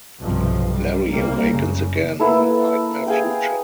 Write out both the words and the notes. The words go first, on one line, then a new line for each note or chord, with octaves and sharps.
Larry awakens again in a nightmare future.
B1 G2 C3 F3
G3
C#2 C3 G3 A#3
F#1 C#3
A#3 B3 E4 A4
G#4 F5 G5 E6